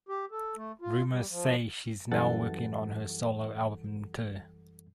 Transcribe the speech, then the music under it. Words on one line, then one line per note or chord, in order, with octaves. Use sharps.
Rumours say she's now working on her solo album too.
G4
A4
A3
F4
G3
F3
F#2 E3 G3 A4 F#5 A6